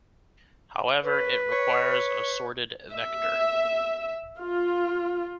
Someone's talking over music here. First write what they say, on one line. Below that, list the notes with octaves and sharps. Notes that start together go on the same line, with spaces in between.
However, it requires a sorted vector.
C#4 B4
C#5
E5
F4